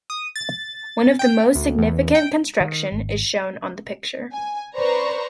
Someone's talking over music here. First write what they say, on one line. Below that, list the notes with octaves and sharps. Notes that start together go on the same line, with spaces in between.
One of the most significant construction is shown on the picture.
D#6
A6
G5
D2
E2
G5
D#3
G#1
G#5
B4 C5 D5 A#5 C#6